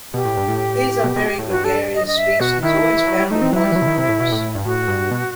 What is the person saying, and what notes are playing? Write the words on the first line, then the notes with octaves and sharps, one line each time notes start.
These are very gregarious species, always found in noisy groups.
B2 G4
A2
G2
A2
B2
B2
A2
G2 F#4
A4
D#5
D#5
E5
B2 F#4
D#3 E4
E3
E3
F#3
G3
A3 D#4
C4
F#3 E4
G3
E3
F#3
C3
D#3
C3
A2
B2
A2
G2
A2 F#4
G2
B2